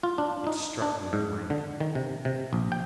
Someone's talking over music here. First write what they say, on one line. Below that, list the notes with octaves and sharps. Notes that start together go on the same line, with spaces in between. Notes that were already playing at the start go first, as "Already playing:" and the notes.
It struck me blank.
F4
D4
D#4
D4
G#2
D3
D#3
C3
C3
A#1
G5